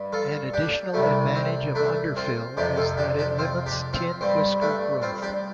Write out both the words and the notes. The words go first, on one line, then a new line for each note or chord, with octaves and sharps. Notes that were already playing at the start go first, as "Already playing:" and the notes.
An additional advantage of underfill is that it limits tin whisker growth.
Already playing: G2 G3
F4 A4
D4 G4
C2 C3 G3 A3
C4
A3 D4
C4 F4
F2 C3 F3 D4 G4
F4 A4
D4 G4
D4 G4
C4 F4
D4 G4
C4 F4
G2 G3 C4
A3 D4
C4 F4
D4 G4